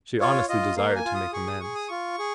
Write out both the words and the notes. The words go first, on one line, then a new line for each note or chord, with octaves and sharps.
She honestly desired to make amends.
F4 C#5
F4 D#5
A#3 F5
G#5
F4
D#6
G#4 C#6
D#6
G#4 C#6
D#6
F4 C#6
G#4